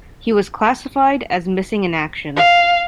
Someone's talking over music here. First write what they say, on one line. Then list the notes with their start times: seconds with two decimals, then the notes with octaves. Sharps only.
He was classified as missing in action.
2.36 F5